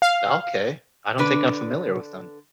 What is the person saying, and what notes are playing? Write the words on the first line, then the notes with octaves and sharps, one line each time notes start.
Okay. I don't think I'm familiar with them.
F5
D3 D4 B4